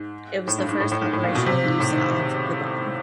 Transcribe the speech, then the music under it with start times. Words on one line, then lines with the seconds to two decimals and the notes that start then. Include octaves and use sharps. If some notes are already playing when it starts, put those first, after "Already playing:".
It was the first operational use of the bomb.
Already playing: G#2
0.48 A2
0.58 G2
0.69 G#2
0.80 A2
0.92 A2
1.02 G#2
1.13 A2
1.24 A#2
1.35 B2
1.46 C3
1.63 G#2
1.80 A2
1.91 D#3